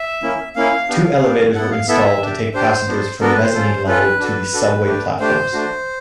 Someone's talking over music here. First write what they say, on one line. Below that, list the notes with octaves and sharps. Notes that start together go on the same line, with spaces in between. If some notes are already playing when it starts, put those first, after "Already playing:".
Two elevators were installed to take passengers from mezzanine level to the subway platforms.
Already playing: E5
A#3 C#4 E4
A#3 C#4 E4 F5
B3 D4 G4
B3 D4 G4
B3 E4 A4 F#5
F5
B3 E4 A4 E5
D4 G4
D4 G4 C5
B3 D4 F#4 A4
B3 D4 F#4 A4 A#4
B4
C5
C#4 F4 A4
C#4 F4 A4 B4
D4 F#4 A4
D4 F#4 A4
A3 D4 G4
A3 D4 G4 C5
A3 D4 F#4